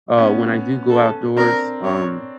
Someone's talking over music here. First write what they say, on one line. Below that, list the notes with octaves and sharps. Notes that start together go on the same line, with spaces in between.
uh, when I do go outdoors, um,
B3 C#4
A4
C4 D4 A#4
C#5